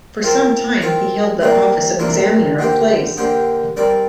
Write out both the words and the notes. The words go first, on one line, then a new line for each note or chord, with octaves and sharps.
For some time he held the office of examiner of plays.
C4 F4 A#4
C4 F4 A#4
C3 G3 A#3 D4 A#4
C3 G3 A#3 D4 A#4
D3 A#3 G4 C5
D3 A#3 G4 C5
G3 C4 A#4 D5